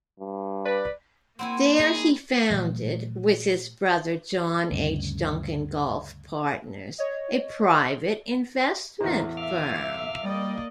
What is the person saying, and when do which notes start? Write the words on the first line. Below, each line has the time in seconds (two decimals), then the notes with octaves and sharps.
There he founded-with his brother, John H. Duncan-Gulf Partners, a private investment firm.
0.20 G2
0.65 B4 D5
1.39 A#3 C4 E4 F#5 G#5
1.80 D#4 G#4
2.50 A#2 E3 F#3 A3
4.72 D2 G2 C#3
6.98 C#5 D#5
9.00 E2 A2 D#4 A#4 C5
9.37 E5 F5 D6 F6
10.24 G3 A#3 D5 D#5